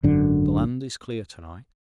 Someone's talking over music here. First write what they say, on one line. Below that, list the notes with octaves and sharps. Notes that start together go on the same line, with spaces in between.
The land is clear to-night.
G#1 F#2 D3